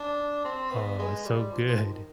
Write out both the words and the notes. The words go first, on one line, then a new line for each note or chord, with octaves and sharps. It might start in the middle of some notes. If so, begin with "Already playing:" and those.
Oh, so good.
Already playing: D4
C4
B3
G#3
G3
F3
F3
D#3